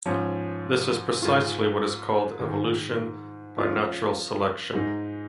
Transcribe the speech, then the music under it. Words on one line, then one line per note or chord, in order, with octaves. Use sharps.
This is precisely what is called evolution by natural selection.
G#2 F3 C#4
G#2 G#3 F4
G#2 D#3 G#3
F2 F3 C#4 F4
G#2 G#3 D#4